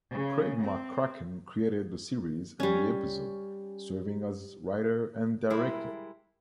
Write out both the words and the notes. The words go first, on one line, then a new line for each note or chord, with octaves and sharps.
Craig McCracken created the series and the episode, serving as writer and director.
C#3
C4
G3 C#4
G3 G#3 E4 G#4 A#4